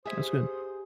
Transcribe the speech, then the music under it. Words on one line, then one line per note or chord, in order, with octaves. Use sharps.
That's good.
G4 G#4 C5 E5 G#5 D#6